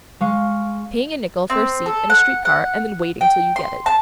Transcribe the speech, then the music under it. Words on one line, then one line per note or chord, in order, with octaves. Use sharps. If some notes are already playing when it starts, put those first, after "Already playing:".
Paying a nickle for a seat in a street-car and then waiting till you get it.
G#3 F5 C#6
C4
A4
F#5
F#5
G5
C6
A5